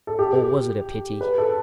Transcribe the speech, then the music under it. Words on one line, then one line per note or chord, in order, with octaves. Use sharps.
Or was it a pity?
A4
G4
B4
A4